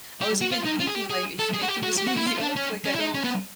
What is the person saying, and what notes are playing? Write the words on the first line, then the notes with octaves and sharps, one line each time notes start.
I was even thinking like, "Is she making this movie up?" Like I don't
G4
F#4
F4
D#4
F4
G#4
G4
G#4
A4
G#4
F#4
G4
F#4
G4
F#4
E4
F4
D4
C#4
C#4
E4
D#4
C#4
B3